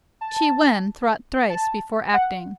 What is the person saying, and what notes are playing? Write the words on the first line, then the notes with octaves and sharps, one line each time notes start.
Chi Wen thought thrice before acting.
A5
A5
F#5